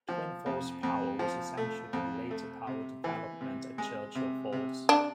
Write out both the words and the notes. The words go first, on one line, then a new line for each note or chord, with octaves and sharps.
Twin Falls power was essential to the later power development at Churchill Falls.
F3
F2
F2
F3
A3
F2
A3
C3
E3
C3
G#3
C3
C3
D4